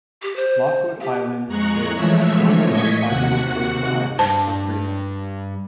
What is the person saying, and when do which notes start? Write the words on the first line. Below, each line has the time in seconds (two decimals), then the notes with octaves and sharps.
Lockwood Island is the northernmost sizeable coastal island of Greenland.
0.22 G4
0.36 C5
1.02 G4
1.48 F2 G#3 A#5 C#6 F#6
1.94 E3 F3 G#3 A3 C#5 E5
2.67 A2 D#5 C#6 G#6 B6
3.05 D#2 C3 F#4 F#5
4.19 G2 C5 A5